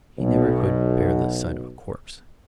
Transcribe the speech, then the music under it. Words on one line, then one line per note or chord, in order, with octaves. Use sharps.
He never could bear the sight of a corpse.
B1 B2